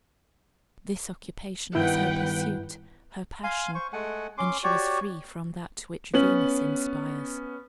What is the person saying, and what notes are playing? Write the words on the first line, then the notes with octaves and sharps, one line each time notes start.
This occupation was her pursuit, her passion; and she was free from that which Venus inspires.
G2 D#3 B3 E4 B4 F#5 G5
F5 G#5 C6
C5 C#6
G#3 A3 F#5 G#5
C#4 C6 D6
F#4 G4 C#5 D5
B3 C#4 F#7